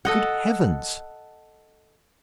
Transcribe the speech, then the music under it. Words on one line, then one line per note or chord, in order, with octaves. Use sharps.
Good heavens!
A4 D#5 F#5